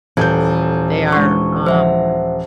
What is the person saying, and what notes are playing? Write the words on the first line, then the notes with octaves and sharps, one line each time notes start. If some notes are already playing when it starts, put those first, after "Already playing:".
They are, um,
D#1 E3 A4 G6 G#6
G#3 D4 C#6
F3 C5 E5 F#5